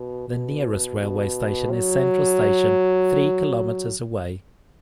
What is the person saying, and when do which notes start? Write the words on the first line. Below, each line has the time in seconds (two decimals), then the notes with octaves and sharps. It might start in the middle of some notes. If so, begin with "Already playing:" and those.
The nearest railway station is Central station, three kilometres away.
Already playing: B2
0.29 B2
1.00 B2
1.71 F#3